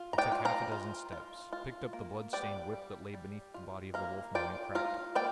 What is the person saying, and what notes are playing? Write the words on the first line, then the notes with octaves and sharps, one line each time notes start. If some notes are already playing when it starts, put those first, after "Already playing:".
I took half-a-dozen steps, picked up the blood-stained whip that lay beneath the body of the Wolf-man, and cracked it.
Already playing: F4
A#5
D5 G5
F4
F5 A#5
F4
F4
F4
A#3
G3 D5 G5
G3
G3
F4
A#3 F5 A#5
F4 D5 G5
F4 F5 A#5
A#3 D5 G5